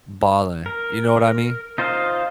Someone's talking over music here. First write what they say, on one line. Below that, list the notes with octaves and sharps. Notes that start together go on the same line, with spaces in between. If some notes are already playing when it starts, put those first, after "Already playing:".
balling, you know what I mean?
A#4
D#4 F4 C5 D#5 F5